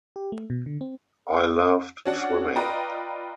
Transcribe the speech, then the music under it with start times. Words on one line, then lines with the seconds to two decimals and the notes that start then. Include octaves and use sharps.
I loved swimming.
0.16 G4
0.32 A3
0.50 B2
0.66 D3
0.81 C4
2.06 C#4 D4 F#4 D5 F#5
2.56 F4 B4 D5 D#5 G5 A#5